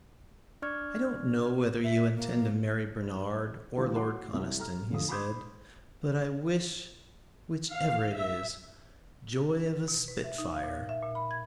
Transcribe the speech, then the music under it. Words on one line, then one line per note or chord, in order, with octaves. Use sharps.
"I don't know whether you intend to marry Bernard or Lord Conniston," he said, "but I wish, which ever it is, joy of a spitfire."
D4 D5 C#6 F6 G#6
A#2 E5
A#3
D3 E3 G3 F4 G4
E4 F#4 F#5 C6 D6
C2
A4 A#5 F6
F1 D3 F3 A3 D#6
B5 C6 D6 D#6 G6 G#6
F5
E5
B2
B4
E5
D#4
F5
A#2
E5
A#2
B5
G#6